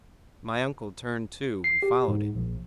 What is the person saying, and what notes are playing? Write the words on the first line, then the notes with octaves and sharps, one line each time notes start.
My uncle turned too, and followed it.
C7
G4
G#2
A#1